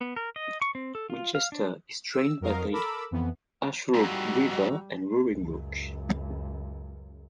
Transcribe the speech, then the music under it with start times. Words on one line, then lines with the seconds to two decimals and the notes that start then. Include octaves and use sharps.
Winchester is drained by the Ashuelot River and Roaring Brook.
0.01 B3
0.16 A#4
0.36 D#5
0.62 C#6
0.75 C4
0.95 A4
1.10 F4
1.35 F5
1.52 D4
2.10 E6
2.41 F2 F#3 A#4 D#5 F5
2.72 A4 A#4 B5 D6 E6
3.11 F2 E3 B3
3.94 F2 G#2 G3 F#4 A#5 E6
5.29 C#2 F#2